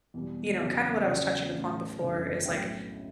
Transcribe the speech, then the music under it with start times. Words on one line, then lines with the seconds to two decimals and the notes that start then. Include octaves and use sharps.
you know, kinda what I was touching upon before is, like,
0.14 E2 B2 G3
0.61 E2 C#3 F#3
1.07 E2 C#3 F#3 D5 F#5
1.53 A1 A2 F#3
1.99 F#1 E2 D3 G3
2.45 B1 A2 F#3 E5 G5
2.57 G5